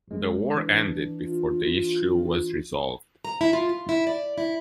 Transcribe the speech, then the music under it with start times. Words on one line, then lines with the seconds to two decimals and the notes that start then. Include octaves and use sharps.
The war ended before the issue was resolved.
0.08 A1 G#3
0.55 E3 D4
1.22 F4
3.25 A#5
3.41 E4
3.53 F4
3.69 F4
3.89 E4
4.07 D5
4.38 E4